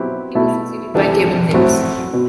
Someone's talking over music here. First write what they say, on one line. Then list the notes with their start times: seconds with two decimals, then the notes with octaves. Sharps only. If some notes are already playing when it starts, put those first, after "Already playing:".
He was succeeded by Kevin Knibbs.
Already playing: B2 F#3 C4 E4 G4
0.35 B2 A3 E4
0.95 C3 E3 G3 D4 A4
1.54 A2 F#3 A3 C4 F#4
2.14 B2